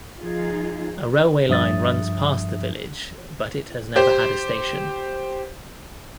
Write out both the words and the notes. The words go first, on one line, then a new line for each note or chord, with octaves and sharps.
A railway line runs past the village but it has never had a station.
F3 D#4 F4 G#4
G2 F3 E5 D#6 A6
G4 C5